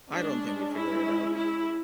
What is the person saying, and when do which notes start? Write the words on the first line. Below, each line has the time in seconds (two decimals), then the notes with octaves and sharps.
I don't think we figured it out.
0.12 G#3 C#4 D4
0.74 E4
1.34 E4